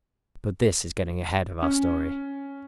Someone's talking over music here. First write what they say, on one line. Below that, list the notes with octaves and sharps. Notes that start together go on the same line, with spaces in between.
But this is getting ahead of our story.
C#4